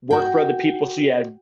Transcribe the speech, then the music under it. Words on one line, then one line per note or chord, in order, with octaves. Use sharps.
work for other people, so yeah
F#4 G5